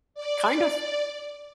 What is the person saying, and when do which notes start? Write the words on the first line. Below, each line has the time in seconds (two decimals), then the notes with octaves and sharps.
kind of
0.14 D5